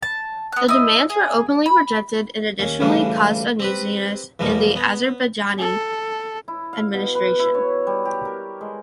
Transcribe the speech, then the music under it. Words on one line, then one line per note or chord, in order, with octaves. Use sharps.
The demands were openly rejected and additionally caused uneasiness in the Azerbaijani administration.
A5
B3 F#6
E4 D#5
G#4
B5
D#2 C#4
A1 D2 C#3 E3 G3 D4
C4 G4 B4
E2 B2 F3 G3 A#3
B3
A4
E4
F5
B2
B4
E4
C#5
G3
G4
A#4
G#3